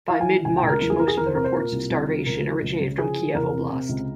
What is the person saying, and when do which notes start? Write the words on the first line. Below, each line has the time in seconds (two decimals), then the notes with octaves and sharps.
By mid-March, most of the reports of starvation originated from Kiev Oblast.
0.08 E3 F5
0.21 G#5
0.26 E3
0.45 C#2 G#5
0.57 G5
0.63 C#2
0.69 A#4
0.81 E2 A#4
0.90 G#4
0.99 E2 A#4
1.08 G#4
1.17 E2 A#4
1.26 C5
1.35 C3 A#4
1.44 C5
1.53 A#2 A#4
1.72 C2
1.90 C2
2.08 F3
2.26 C#2 A#4
2.44 F3
2.62 C#2
2.80 C#3
2.98 F3 G#4
3.17 F3
3.35 E2 A#4
3.52 C3
3.71 C3
3.89 C#2